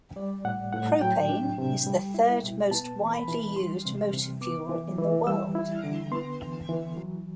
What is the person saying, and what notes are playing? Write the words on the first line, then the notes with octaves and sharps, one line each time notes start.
Propane is the third most widely used motor fuel in the world.
G3 D5
A2 F#5
A2 F#5
F#3 G5
D4
C3
G3
E4
B2
B3 A5
E3
B5
E3
G3 C6
C3
C3
B3 D6
E3
E3
G3 E6
E4
D3
B3 C6
E3
E3
F#3